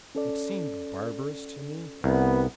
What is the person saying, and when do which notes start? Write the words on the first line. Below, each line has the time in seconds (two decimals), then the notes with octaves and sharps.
It seemed barbarous to me.
0.15 C#4 A4 D5
2.04 C2 B3